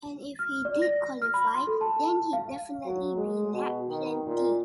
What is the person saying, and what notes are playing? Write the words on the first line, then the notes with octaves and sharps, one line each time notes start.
And if he did qualify, then he'd definitely be lapped plenty.
F6
D5
A#6
F6
B5
C6
A4
A5
F5
F#3
G#3
B2
D#3
A#2